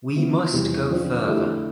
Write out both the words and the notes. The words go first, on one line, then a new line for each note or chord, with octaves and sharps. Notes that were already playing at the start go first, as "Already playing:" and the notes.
We must go further.
F3 B3 E4
E2 C3 E3 G3 B3
D3 F3 C4 F4
D3 A3 E4 G4